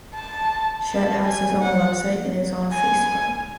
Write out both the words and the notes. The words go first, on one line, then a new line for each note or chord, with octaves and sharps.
Chet has his own website, and is on Facebook.
A5
A5
G#5
F#5
G#5